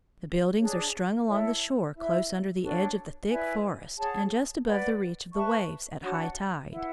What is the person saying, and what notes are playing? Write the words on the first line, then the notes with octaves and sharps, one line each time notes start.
The buildings are strung along the shore close under the edge of the thick forest and just above the reach of the waves at high tide.
D4 G#4 C#5
E4 A4 C#5 E5
E4 B4 E5
D4 F#4 A4 C#5
E4 B4 D5 G#5
G#4 C#5 F#5 A5
B4 D5 F#5 B5
B4 E5 A5 C#6
D4 F#4 C#5 F#5
E4 B4 F#5